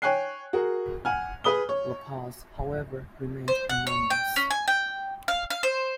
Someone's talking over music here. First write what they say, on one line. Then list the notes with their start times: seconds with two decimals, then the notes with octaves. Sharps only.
LaPaz, however, remained anonymous.
0.02 C#5 G5 G#5 F#6 C7
0.53 F#4 G#4 A#4
1.05 F#5 G#5 F6
1.44 G#4 B4 D#6 G7
1.69 C#5
3.48 C5
3.69 F#5
3.87 C#5
4.10 G5
4.36 C#4
4.50 G#5
4.68 G5
5.28 F5
5.50 F5
5.63 C5